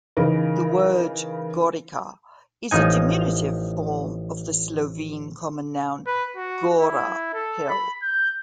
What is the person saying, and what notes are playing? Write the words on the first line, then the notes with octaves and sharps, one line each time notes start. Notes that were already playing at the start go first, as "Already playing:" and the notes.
The word "gorica" is a diminutive form of the Slovene common noun "gora" 'hill'.
C#3 E3 D#4 A#4 B4
A1 F3 D#4 G#5
B4
F#4
E4
A4
B5
G6